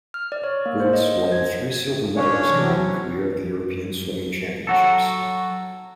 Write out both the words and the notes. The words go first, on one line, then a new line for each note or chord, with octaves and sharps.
Geurts won three silver medals during her career at the European Swimming Championships.
F6
D5
C#5
A#3
C5
D#5
G#6
C#4 D4 C#5
C3 E3 F#3
F#3 F#4 A4